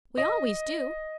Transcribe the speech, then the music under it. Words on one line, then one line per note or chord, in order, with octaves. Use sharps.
We always do.
D#5